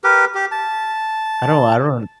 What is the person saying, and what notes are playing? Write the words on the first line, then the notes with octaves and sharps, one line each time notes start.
I don't I run
G4 A#4 B4
G4
A5